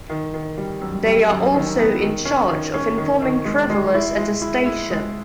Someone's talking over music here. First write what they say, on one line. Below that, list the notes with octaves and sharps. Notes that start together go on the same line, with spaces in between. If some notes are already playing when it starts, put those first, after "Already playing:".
They are also in charge of informing travelers at the station.
D#3
D#3
G3
F#2
G3
F#2
D#3
B3
D#3
C#4
D#3
C#4
D#3
D#3
G#3
G#3
E4
G#3
E4
E4
G#3